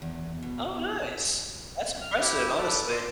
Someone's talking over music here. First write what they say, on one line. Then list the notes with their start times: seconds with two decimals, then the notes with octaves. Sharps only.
Oh, nice. That's impressive, honestly.
0.02 E2
0.43 B2
2.01 F6
2.21 E4 G4
2.58 A4 B4 D5
2.92 D5 C6